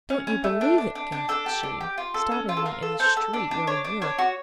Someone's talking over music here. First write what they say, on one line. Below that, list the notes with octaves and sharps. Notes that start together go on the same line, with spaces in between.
"Don't you believe it," gasped she, stopping me in the street where we were.
C#4
C#4
A3
D4
D4
D4
D4
D4 A4
G4
D4
G4
F4
A4
C#4
F4
A4
F4 A#4
A4
A4 C5
A4
D4 D5
D4
D4 C#5
D4
D4 C#5
F#4